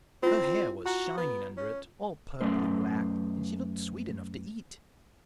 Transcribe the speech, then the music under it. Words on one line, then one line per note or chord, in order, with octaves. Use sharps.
Her hair was shining under it, all purply-black, and she looked sweet enough to eat.
C4 E4 F4
F#4 A#5
B3
C#4
F#2 A3 C#4 B4 C5